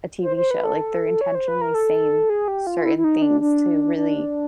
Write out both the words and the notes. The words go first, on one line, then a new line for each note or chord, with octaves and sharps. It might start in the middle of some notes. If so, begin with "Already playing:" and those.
a TV show, like, they're intentionally saying certain things to really
C5
C5
B4
A4
C#5
C5
B4
A#4
A4
G#4
G4
F4
E4
E4
D#4
D4
D4
D4